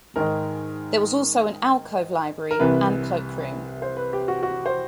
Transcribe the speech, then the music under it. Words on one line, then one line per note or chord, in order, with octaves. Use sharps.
There was also an alcove library and cloakroom.
G#2 D#3 G#3 A#4
A#4
C2 C3 E3 B4
C5
B4
G4
F#4
F#4
C5